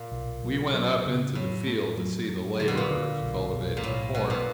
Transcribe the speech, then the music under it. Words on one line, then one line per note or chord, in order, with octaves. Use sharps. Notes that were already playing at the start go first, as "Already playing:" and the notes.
We went up into the field, to see the laborers cultivating corn.
Already playing: A#2
B1
B1
F#3
C#3
A2 F#3
A3
F#3
F#3
A#2 D3
B2
A#2
D3
B1
B1
A#2
B1 A2
B1 B2
A#2